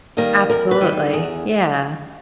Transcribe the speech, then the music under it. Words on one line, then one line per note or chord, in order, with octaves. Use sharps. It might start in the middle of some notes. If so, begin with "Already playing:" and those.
Absolutely, yeah.
D#3 G3 A#3 A#4
E2 A#4
B4
D#3 G3
E2 G#4